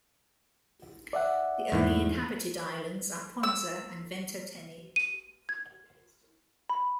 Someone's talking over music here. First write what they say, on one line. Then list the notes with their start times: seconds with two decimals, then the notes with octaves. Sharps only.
The only inhabited islands are Ponza and Ventotene.
1.13 D5 E5 F#5
1.72 E2 G#2 E3
3.43 E6
4.96 D#7
5.49 G#6
6.69 B5